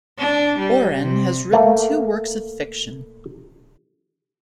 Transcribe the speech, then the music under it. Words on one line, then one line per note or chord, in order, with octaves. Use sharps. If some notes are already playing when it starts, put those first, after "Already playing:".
Oren has written two works of fiction.
D4
G3
C3
A3 A#3